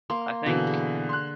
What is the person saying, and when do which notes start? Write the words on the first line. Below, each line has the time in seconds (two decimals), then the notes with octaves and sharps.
I think,
0.10 A#3 C6
0.46 B2 D3 E3
0.67 G#4
1.09 C6 F#6